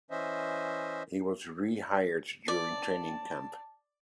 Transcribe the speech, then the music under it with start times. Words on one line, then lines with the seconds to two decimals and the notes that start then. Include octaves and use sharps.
He was re-hired during training camp.
0.11 E3 C#4 C5 D#5 E5
2.48 D5 A5